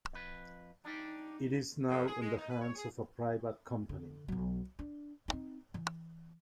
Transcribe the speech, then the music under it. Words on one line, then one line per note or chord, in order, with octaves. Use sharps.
It is now in the hands of a private company.
F2 B4
D4 D#4 G4
F2
G#4
G#3
D#4
B4
C#5
G#4
D3
B1 F#3
D4
C4 D#4
E3